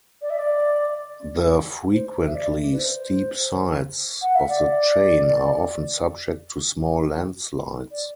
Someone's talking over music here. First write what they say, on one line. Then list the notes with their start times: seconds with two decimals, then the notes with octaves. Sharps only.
The frequently steep sides of the chain are often subject to small landslides.
0.21 D5
0.29 E5
0.38 D5
1.92 C5
2.26 E5
2.35 D5
2.72 B4
2.78 C5
4.21 F#5
4.35 E5
4.49 D5
7.91 D5